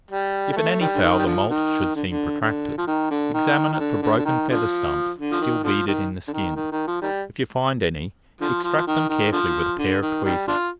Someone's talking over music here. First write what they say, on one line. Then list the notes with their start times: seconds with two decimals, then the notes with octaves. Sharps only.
If in any fowl the moult should seem protracted, examine it for broken feather-stumps still beaded in the skin: if you find any, extract them carefully with a pair of tweezers.
0.11 G3
0.52 G3
0.56 A3
0.81 D#3 G3
0.95 D3
1.03 D#3
1.19 G3
1.26 D3 F3
1.50 D#3
1.95 D3
2.10 D3
2.41 D3
2.78 F3
2.87 D#3
3.11 D3
3.34 D#3
3.73 D#3
3.80 D3
4.02 D3
4.18 D3
4.25 D#3
4.49 D3 F3
5.18 D3
5.31 F3
5.40 D#3
5.64 D3 F3
5.87 D#3
6.28 D3
6.33 D#3
6.56 D#3
6.72 D#3
6.87 F3
7.02 D#3 G3
8.41 D3 F3
8.64 F3
8.77 F3
8.87 D#3
9.09 D#3
9.32 D3 F3
9.79 D3
10.02 D#3
10.25 D#3 G3
10.48 D4 F4